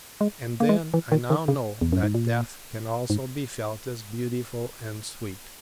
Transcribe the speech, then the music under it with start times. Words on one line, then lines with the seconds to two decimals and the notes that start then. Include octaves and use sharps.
And then I now know that death can also be felt as beautiful and sweet.
0.21 G#3
0.60 A#3
0.69 G#3
0.94 E3
1.12 D#3
1.30 D#3
1.48 C#3
1.81 E2
1.92 F#2
2.03 G#2
2.14 A#2
3.10 G#2